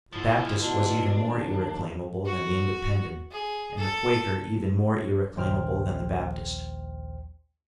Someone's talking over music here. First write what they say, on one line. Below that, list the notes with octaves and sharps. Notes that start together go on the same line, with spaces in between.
The Baptist was even more irreclaimable than the Independent, and the Quaker even more irreclaimable than the Baptist.
D3 F3 G#3 E4 F4
B2 D4
D#2
F#4
G#4
A4
A#1 D#2 C5 G5 F6